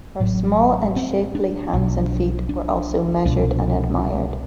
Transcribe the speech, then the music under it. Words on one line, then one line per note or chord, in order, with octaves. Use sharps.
Her "small and shapely" hands and feet were also measured and admired.
A1 A2 F#3
C4
D4
B1 B2 D4
D4
C2 B2 D4